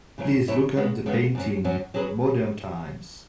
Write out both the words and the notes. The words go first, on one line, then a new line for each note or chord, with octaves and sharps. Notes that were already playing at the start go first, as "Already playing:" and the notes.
Please look up the painting, Modern times.
C#3 F#3 E4 C#5
C#3 F#3 E4 C#5
C#3 G#3 B3
C#3 G#3 B3
F#2 F#3 C#4
F#2 F#3 C#4
F#3 C#4 G#4 B4